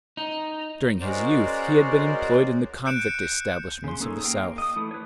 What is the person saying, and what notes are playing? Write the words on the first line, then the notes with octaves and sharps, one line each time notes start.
During his youth he had been employed in the convict establishments of the South.
D#4
G#3 C#4 F#4 A#4 C5 D5
F#6 G6 C#7 D7 E7
C#3 C6
A#3 C#4 D#4 G#4 A4
A#3 A#4 F5 G5
D#5 D#6
E3 A3 E4
B4 C#5